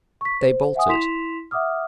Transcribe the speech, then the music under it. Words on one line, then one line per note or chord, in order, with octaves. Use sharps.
They bolted.
C#6 B6
C5
E5 F#5 G#5 D#6
E4 C6 B6 E7 F7
E5 F#5 D6 D#6 F6